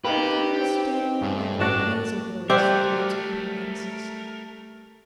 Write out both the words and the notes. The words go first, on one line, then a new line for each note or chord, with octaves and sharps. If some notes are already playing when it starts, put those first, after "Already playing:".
He could hear a steady, rather nasal voice through its open lattices.
A#3 D#4 G4 B4
C4
G2 C#3
A1 D4 F#4
G3 A3 G4 A#4 C5 D5 E5 F#5